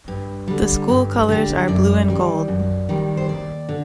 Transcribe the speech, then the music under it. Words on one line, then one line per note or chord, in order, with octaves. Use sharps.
The school colors are blue and gold.
G2
D3 G3
G2
D3 G3
F#2 D5
D#3 G3
F#2
D#3 G3
C5
D#2 D5
D3